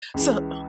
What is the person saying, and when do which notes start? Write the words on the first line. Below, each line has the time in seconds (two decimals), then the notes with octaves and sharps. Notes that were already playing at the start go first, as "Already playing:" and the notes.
So, oh
0.14 C#2 C#3 E3